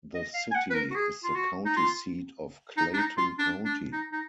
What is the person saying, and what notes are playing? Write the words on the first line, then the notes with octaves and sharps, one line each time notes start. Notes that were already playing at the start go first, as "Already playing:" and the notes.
The city is the county seat of Clayton County.
D#5
F5
G#5
F#5
B4
A#4
F#4
G#4
F4
F#4
D#4
F4
D#4
D4
D#4
F4
D4
D4
D#4
D#4